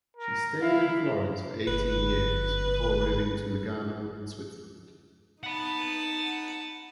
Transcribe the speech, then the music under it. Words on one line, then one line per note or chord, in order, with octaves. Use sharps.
She stayed in Florence for eighteen years before moving to Lugano in Switzerland.
A#4
E4 F5
G1 B4
D#4 F#5 A5 B5